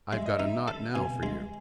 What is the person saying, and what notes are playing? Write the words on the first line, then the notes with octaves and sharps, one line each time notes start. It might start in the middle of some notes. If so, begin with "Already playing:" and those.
"I've got a knot now for you."
G#3 E5
D#5
D#4 E5
A4
B2 G#5
G#3